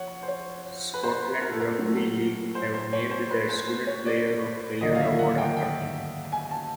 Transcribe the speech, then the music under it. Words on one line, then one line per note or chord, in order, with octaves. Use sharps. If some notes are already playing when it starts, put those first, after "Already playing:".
Scotland Rugby League have named their Student Player of the Year Award after him.
Already playing: F3 C#5 F#5
C5
C#5
B4
C5
B4
A#4
A4
A#4
A2 F#3 A3
C5
C5
C#5
C5
B4
C5
C5
C#5
D5
D#2 D3 F#3 D#5
F5
E5
F#5
G5
G5
G#5
A5